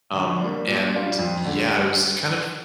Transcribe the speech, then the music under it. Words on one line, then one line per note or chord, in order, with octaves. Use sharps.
Um, and yeah, it was kind of
D3
G3 A#3 D4
A#2
G3 D4 F4
F2
D3 A3 D4
G2